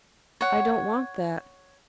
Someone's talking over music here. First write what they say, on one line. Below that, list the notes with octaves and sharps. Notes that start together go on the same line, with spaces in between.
I don't want that.
C#5 F#5